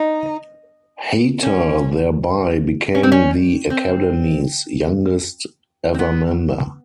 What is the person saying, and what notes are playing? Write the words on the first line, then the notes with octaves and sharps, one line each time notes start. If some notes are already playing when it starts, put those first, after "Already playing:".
Hayter thereby became the Academy's youngest ever member.
Already playing: D#4
C#4
C#4
C4
C#4
C4
C4
B3